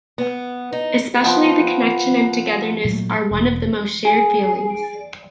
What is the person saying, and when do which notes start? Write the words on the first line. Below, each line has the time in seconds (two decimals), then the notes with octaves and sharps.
Especially the connection and togetherness are one of the most shared feelings.
0.18 B3
0.72 D#4
1.23 F3 B3 G5 A5
2.84 A#2 F#3 G#3 A3
3.31 E1
4.05 G#4